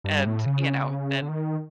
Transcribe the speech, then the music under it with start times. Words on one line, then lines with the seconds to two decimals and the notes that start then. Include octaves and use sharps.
and, you know, then
0.04 G2
0.26 A2
0.46 C#3
1.22 D3
1.28 D#3